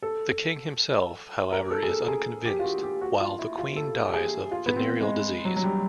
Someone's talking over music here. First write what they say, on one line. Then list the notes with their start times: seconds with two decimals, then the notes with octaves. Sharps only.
The king himself, however is unconvinced, while the Queen dies of venereal disease.
0.03 A4
1.52 A#4
1.71 A4
1.83 G#4
1.90 A4
2.08 G#4
2.46 G4
2.59 F4
2.64 F#4
2.83 G4
3.01 F#4
3.20 F4
3.39 E4
3.58 F4
3.76 A4
4.08 G4
4.14 G#4
4.51 F4
4.66 B3
4.76 C4
5.01 G#3
5.45 F#3
5.56 F#3
5.64 G3